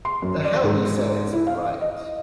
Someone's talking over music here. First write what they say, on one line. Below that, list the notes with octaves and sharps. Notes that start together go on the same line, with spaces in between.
The hell you say it's all right!
C6
F#2
D5
G#2
E4
F5
D#5